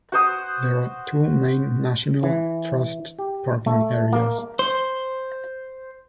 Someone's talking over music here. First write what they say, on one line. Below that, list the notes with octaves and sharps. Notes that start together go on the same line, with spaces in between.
There are two main National Trust parking areas.
F#4 C5 D#6
E3
G4
A3
A#3
C5